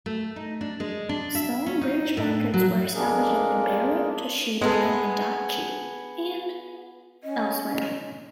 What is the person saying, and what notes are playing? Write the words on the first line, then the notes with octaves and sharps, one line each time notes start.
Smaller branch markets were established in Ebara, Toshima, and Adachi, and elsewhere.
A3
D#4
D4
G#3
D4
E5
C#4
D#4
A2
F#3
F2 G#3 A#3 D4 G#4 A#4
G#3 B3 G#4 A4
C#4 D#5